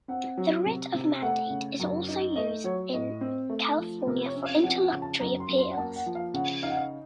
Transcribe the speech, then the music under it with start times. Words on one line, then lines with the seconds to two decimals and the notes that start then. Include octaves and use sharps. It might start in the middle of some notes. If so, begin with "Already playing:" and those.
The writ of mandate is also used in California for interlocutory appeals.
0.08 C4 F#5
0.37 F#3
0.66 C3
0.94 C3
1.22 A3 F#5
1.50 C#3
1.80 F#2
2.08 D#4
2.36 A3 D#5
2.64 F#3 C#5
2.93 A2 D#5
3.21 C4
3.50 A3
3.79 F3
4.07 C3 A#4
4.26 C#5
4.36 C#4
4.44 F5
4.63 F3 F#5
4.82 F#5
4.93 C#3
5.02 A5
5.20 F#2 A#5
5.40 C6
5.49 F#2
5.58 C6
5.71 F#5
5.77 A#3 A5
5.96 F#5
6.06 F3
6.15 F5
6.34 C#3 F#5
6.63 D#4 F5
6.70 F#5
6.77 F5